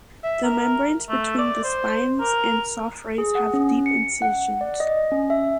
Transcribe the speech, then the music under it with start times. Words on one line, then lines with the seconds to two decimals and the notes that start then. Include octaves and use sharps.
The membranes between the spines and soft rays have deep incisions.
0.24 E5
0.44 A#4
1.09 A3
1.38 D5
1.64 C5
2.20 A#4
3.18 G#4
3.35 F#5
3.54 C#4
3.86 C#7
4.22 F#5
4.61 D5
4.80 D#5
5.11 C#4
5.30 E5